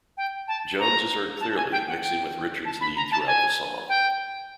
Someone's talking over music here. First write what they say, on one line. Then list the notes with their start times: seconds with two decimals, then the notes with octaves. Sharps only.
Jones is heard clearly, mixing with Richards's lead throughout the song.
0.17 G5
0.48 A5
0.79 A#5
1.41 A5
1.56 G#5
1.72 G5
1.88 F#5
2.03 G5
2.65 A5
2.81 B5
2.96 A#5
3.11 A5
3.27 G#5
3.89 G5